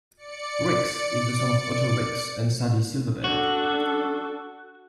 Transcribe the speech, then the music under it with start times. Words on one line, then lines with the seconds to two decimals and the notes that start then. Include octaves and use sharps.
Rix is the son of Otto Rix and Sadie Silverberg.
0.17 D5 C#7
3.24 D4 F#4 A4